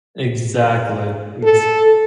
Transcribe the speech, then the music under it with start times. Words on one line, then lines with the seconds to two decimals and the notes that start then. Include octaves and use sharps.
Exactly. Exa
1.43 A4